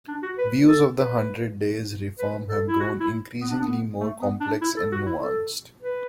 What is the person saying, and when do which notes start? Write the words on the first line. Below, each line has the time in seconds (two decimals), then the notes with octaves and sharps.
Views of the Hundred Days' Reform have grown increasingly more complex and nuanced.
0.08 D4
0.23 F#4
0.38 B4
0.68 A4
0.99 B4
2.19 B4
2.49 A4
2.67 E4
2.80 F#4
3.00 E4
3.41 B3
3.50 D4
3.61 B3
4.00 A3
4.21 B3
4.40 D4
4.61 E4
4.77 A4
4.92 F#4
5.06 E4
5.21 A4
5.82 B4